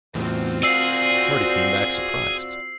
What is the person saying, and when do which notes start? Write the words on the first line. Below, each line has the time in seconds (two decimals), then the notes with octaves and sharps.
Marty came back surprised.
0.15 E2 A2 C4 F4 F#4
0.63 G#4 D5 F5 E6 C7